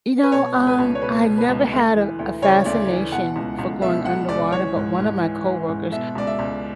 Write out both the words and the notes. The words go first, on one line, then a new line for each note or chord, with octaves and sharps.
You know, um, I never had a a fascination for going underwater, but one of my coworkers,
B4
B2 C#5
C#2
B4
C#2
C#5
B2 B4
B2
B4
C#2
D2
E3
D2
C#3 C#5
D2 D5
E3
B2 F#5
C#2
C#2
B2 E5
B2 F#5
C#2 D5
E3 C#5
G#2
G#2
E3
E3
G#2
B2 E5
C#2 D5
E5
C#2